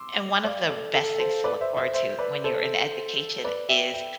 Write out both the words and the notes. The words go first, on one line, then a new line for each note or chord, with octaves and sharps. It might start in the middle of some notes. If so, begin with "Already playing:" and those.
and one of the best things to look forward to when you're in education is
Already playing: C6 D6 E6
D5 F5
A4
A4
A4 C5
B4 D5
C5 E5
C5 E5
C5 E5
B4 D5
A4 C5
B4 D5
E5 G5
E5 G5